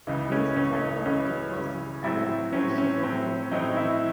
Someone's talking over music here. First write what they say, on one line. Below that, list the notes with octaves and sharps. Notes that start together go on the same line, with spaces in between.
This type of deposit undergoes rock weathering.
C#2 C#3 E3 D#4
C#4
C#2 C#3 E3 C#4
D#4
C#2 C#3 E3 C#4
C#2 C#3 E3
A2 F#3 C4 E4
A2 F#3 C4 C#4
C#4
A2 F#3 C4
A2 F#3 C4 D#4
E4